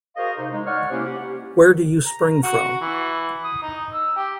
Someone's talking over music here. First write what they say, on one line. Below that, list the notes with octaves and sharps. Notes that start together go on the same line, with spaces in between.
Where do you spring from?
F#4 G#4 A#4 C5 D#5 F5
C3 D#4 C5
G#3 D#4
C#5 D5 F#5 C#6 F6
C3 A#3 C#4 E4 G4 C5
G4 F#5
A#5
F#4
E3
D#6
D#4
E6
G4